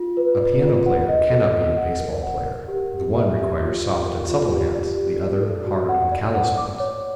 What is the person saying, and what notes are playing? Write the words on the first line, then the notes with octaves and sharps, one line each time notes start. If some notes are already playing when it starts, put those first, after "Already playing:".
A piano player cannot be a base-ball player: the one requires soft and supple hands, the other hard and callous ones.
Already playing: F4
B4
D5
F4
F#5
D#5
A4
A4
F#5
A#4
F#5
A#4
G4
G4
E5
G4
F4
D5
A#4
F4
G4
D5
G4
D5
A4
F#4
F#5
D5
F#5
D6
C#5